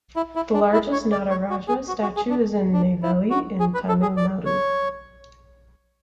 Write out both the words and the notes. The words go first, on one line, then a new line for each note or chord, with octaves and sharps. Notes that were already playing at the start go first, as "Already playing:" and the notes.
The largest Nataraja statue is in Neyveli, in Tamil Nadu.
E4
E4
D4
E4
C#5
D5
C#5
F#4
G#4
F#4
F#4
G#4
D4
D4
E4
F#4
G#4
B4
A4
G#4
D5
C#5